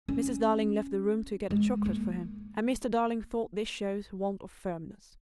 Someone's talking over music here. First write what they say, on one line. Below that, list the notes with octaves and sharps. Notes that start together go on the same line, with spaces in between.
Mrs. Darling left the room to get a chocolate for him, and Mr. Darling thought this showed want of firmness.
C#4
G#3
A#3